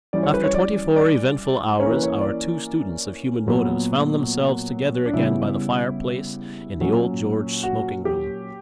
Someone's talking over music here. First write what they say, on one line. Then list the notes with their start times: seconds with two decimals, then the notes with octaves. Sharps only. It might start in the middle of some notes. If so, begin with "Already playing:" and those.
After twenty-four eventful hours our two students of human motives found themselves together again by the fireplace in the Old George smoking-room.
0.13 E3 G3 C#4 D5
0.23 C#5
0.34 B4
0.44 C#5
0.54 D5
0.96 D5
1.80 E3 A#3 C#4 C#5
1.91 B4
2.03 C#5
2.21 D5
3.47 A#2 F#3 B3
5.06 D4
5.13 C#3 G3 B3 E4
6.80 A#2 F#3 C#4
7.63 F#4
8.05 G4